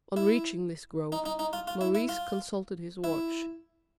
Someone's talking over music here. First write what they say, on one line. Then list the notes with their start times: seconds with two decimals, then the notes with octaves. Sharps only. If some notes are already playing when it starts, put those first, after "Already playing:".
On reaching this grove, Maurice consulted his watch.
0.17 E4
1.12 D#4
1.26 D#4
1.39 D#4
1.53 F4
1.67 F4
1.81 E4
1.95 E4
2.09 F4
3.04 E4